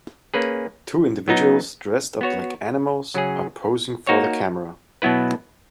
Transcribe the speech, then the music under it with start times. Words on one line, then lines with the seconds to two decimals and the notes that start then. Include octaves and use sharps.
Two individuals dressed up like animals are posing for the camera.
0.34 A#3 C#4 G#4 B4
1.28 F#3 B3 D#4
2.21 B3 F#4 C#5
3.14 C#3 F#3 C#4 G#4
4.07 A#3 D#4 F#4 C#5
5.02 B2 F#3 B3 E4 B4